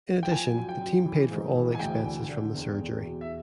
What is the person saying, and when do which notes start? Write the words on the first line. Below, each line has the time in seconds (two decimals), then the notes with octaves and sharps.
In addition, the team paid for all the expenses from the surgery.
0.23 G5
0.31 F3 G#5
0.57 F#2
0.69 G5
0.81 F#2
1.06 E3
1.31 G#2
1.56 E3
1.75 G#5
1.80 D2 G5
2.05 D3
2.29 D3
2.54 E2
2.80 E2
3.03 B2
3.21 E5